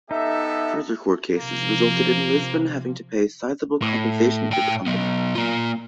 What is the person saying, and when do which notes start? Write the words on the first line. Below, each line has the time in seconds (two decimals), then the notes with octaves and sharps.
Further court cases resulted in Lisbon having to pay sizeable compensation to the company.
0.11 B3 D#4 G4 A4 E5
1.38 C3 F3 A#3
3.82 A2
4.51 A2 G5
4.86 F#3 B3
5.35 A#3 F4